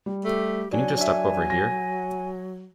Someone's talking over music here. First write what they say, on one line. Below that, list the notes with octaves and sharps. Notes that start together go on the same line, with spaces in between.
Can you just step over here?
G3
A3 G4
F#3 D4 G#5
D4 E5
A#6